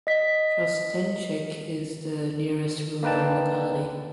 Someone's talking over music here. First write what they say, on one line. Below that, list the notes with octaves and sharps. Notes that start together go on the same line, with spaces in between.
Trostenchik is the nearest rural locality.
D#5 B6
A#3 D#4 B4 G5 A5